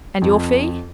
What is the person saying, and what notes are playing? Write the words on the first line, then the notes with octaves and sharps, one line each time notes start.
"And your fee?"
F2